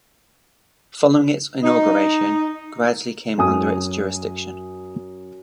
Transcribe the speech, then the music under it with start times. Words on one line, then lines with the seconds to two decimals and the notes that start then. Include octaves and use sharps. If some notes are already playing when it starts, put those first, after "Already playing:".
Following its inauguration, gradually came under its jurisdiction.
1.64 D#4
3.38 F#2 G#5 D#6